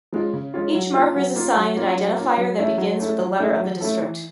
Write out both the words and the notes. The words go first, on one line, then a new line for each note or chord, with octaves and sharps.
Each marker is assigned an identifier that begins with the letter of the district.
F3 G#3 C#4 F4
C#3
F3 G#3 C#4 F4
F#3
A#3 C#4 F4
F#3
A#3 C#4 F4
F#3
A#3 C#4 F4
F#3
A#3 C#4 F4
F#3
A3 C#4 E4 A4
F#3
A3 C#4 E4 A4
F#3
A3 C#4 E4 A4
F#3
A3 C#4 E4 A4
E3